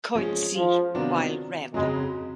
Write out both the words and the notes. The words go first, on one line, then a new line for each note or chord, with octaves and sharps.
Coetzee while Rev.
F3 G#3 C#4
F3
C3 D#3 F#3 B3 D4
F2 C#3 F#3 G#3